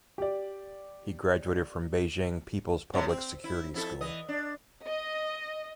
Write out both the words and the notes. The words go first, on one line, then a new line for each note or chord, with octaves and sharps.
He graduated from Beijing People's Public Security School.
G4 D5
A2 C3
C4
E4
F2 E4 A4
E3 D#5
D4
D#5